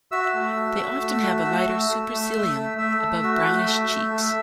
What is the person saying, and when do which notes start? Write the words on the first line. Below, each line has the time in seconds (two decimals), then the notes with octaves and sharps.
They often have a lighter supercilium above brownish cheeks.
0.11 F#4 E5 E6
0.34 A3
0.56 F#4
0.78 F#4
1.01 A3
1.23 F#4
1.45 A3
1.67 A3
1.89 A3
2.12 A3
2.34 A3
2.56 A3
2.78 A3 E5 E6
3.00 A3
3.23 F#4
3.45 A3
3.67 A3
3.89 A3
4.12 A3